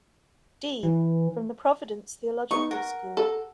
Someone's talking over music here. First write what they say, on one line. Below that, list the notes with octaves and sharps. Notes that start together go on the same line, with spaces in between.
D. from The Providence Theological School.
E3
B3 D#4 C#6
A#4 F#5
A4